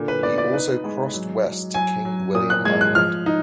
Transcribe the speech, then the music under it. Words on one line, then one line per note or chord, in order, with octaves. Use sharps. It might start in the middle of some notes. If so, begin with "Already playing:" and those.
He also crossed west to King William Island.
Already playing: A#2 D3
B4
B3 D5
D5
D#4 B4
G#3
F#3
F#3
F#3 G#5
F#3
A#2 D#6
F#6
G#3 G#6
F#6
F3 F6
D#4